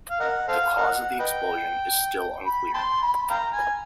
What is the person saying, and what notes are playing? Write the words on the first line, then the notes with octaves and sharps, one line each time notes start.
The cause of the explosion is still unclear.
F5
A#4 D#5 F#5
A4 C5 F5
A#4 D#5 F#5
B4 D#5 G5
B5
G5 A5 C6
B5
F5 G5 A#5
G#5